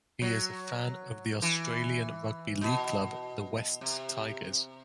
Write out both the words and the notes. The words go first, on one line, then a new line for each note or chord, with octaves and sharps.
He is a fan of the Australian rugby league club the Wests Tigers.
F#3
E3
B2
C3